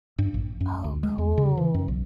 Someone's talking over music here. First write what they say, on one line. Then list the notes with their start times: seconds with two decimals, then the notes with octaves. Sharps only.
Oh, cool.
0.18 G2
0.34 A#1
0.61 F#2
0.84 D2
1.03 G#3
1.18 E2
1.38 C#3
1.57 E3
1.74 F#2
1.88 B1